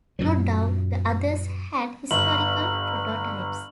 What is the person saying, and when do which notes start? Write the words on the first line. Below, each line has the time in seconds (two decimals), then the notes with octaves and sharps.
No doubt the others had historical prototypes.
0.19 F#2 A#2 F#3
2.11 G1 F#7